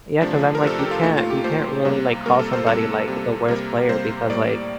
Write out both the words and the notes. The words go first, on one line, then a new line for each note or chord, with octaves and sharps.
Yeah, 'cause I'm like, you can't you can't really like, call somebody, like, the worst player because, like,
C3 F3 A3 D4
A#4
C3 F3 A3 A4
G4
F4
A#2 A3 D#4
F4
G4
A#2 A3 C5
C3 G3 A#3
C3 G3 A#3 A#4
A4
C5
C3 G3 A#3 A4
C3 G3 A#3
C3 G3 A#3 A#4
C3 G3 A#3 C5
A2 G3 A#3 D5